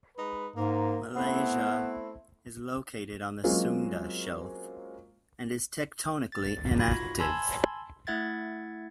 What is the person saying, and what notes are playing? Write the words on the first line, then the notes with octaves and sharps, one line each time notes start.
Malaysia is located on the Sunda shelf, and is tectonically inactive.
G#3 D#4 B4
G#2 A#3
A3 B3 C4 E4
F#3 G#3 A#3 C4 C#4 F4
A6
D#4 F4 F#4 B5 G#6 A#6
G#5 A5 B5 C6 E6 G#6
A3 E4 E5 F#5 G#6 A6